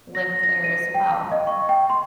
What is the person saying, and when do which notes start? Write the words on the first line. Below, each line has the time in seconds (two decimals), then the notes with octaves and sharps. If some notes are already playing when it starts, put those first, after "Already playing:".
lived there as well.
0.15 A#6
0.43 A#6
0.64 D#7
0.94 G5
1.12 F5
1.32 D#5
1.47 C#6
1.69 G5
1.90 C6